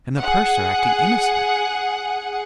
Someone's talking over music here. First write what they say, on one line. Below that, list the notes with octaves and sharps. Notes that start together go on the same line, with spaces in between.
And the purser acting innocent?
G#4 F#5